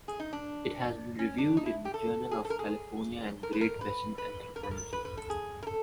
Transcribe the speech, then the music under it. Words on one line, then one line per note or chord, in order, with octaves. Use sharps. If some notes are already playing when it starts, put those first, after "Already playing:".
It has been reviewed in the Journal of California and Great Basin Anthropology.
G#4
D#4
D4
C#4
D4
D#4
E4
G4
A4
G#4
A4
A#4
G#4
A#4
B4
A#4
B4
B4
A#4
B4
A#4
B4
B4
A4
G#4
A#4
A4